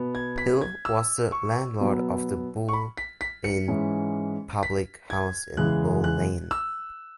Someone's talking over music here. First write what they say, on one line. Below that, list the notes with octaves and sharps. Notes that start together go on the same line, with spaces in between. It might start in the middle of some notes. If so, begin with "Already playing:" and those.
Hill was the landlord of the Bull Inn public house in Bull Lane.
Already playing: B2 B3
G#6
B6
G#6
E6
C#6
B2 F#3 B3
C#6
B5
B6
B6
C#7
G#2 E3 G#3 C#4
B6
G#6
E2 C#3 E3 G#3 F#6
F#6
E6